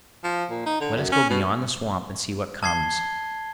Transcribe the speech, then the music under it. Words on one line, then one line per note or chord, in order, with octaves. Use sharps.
Let us go beyond the swamp and see what comes.
F3
A#2
D#4
D3
F#2
C#4
B2
A5 G#6 C7 G7